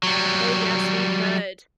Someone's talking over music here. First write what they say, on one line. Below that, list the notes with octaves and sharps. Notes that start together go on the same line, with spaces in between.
Oh, yes, we could.
F#3 G3